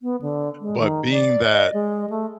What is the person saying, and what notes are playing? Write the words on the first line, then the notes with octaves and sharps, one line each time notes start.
but being that
B3
D3
G#3
D#3
D5
D#5
G#3
A3